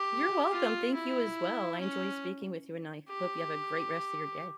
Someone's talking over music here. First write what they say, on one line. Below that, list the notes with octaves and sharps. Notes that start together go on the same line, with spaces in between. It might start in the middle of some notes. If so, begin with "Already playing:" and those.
You're welcome, thank you as well, I enjoyed speaking with you, and I hope you have a great rest of your day.
Already playing: G4
F4
E4
C#4
G4